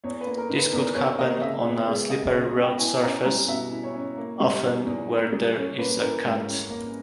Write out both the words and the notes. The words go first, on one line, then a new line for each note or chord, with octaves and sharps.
This could happen on a slippery road surface, often where there is a cant.
E2 C#5
B4
A#3
A#4
D#3
B4
E2 A#4
E2 C#5
A#3 D#5
C#3 E5
B3
G#3
C#3 D#5
C#5
C#3
B3
G5
E4 G#5
C#4 A#5
G3 A#5
B2 E5
E4
C#5
C#4
A#3
G3
D#3
E2
A#3
G3
C#4
A#3 B4
E3 A#4
G#2
C#4
A#3